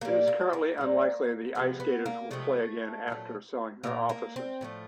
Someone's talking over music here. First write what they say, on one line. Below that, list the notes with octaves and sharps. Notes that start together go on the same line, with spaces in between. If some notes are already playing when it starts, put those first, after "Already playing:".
It is currently unlikely the IceGators will play again after selling their offices.
A#2 G3 A#3
A#3
A#3
A#2 G3
C3 F3 G#3 B3
B3
A#3
C3 F3 G#3 A3
A#2 F#3 A3
A#2 F#3 A3 A#3
A#3
C4
A2 F3 A3